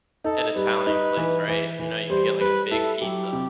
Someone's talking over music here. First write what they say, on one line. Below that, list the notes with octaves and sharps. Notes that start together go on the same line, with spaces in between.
an Italian place, right? You know, you could get, like, a big pizza,
D#4 A4
G3 B4
D#4
E3
E3
E3
G3 C5
G3 B4
E4 A4
F#3 G4
C3